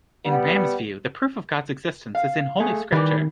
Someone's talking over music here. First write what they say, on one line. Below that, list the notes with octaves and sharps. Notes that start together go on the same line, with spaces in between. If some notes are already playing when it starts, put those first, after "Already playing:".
In Ramm's view, the proof of God's existence is in Holy Scripture.
G3 B3
F5
A3 G#4
D#3 E3 G3 B4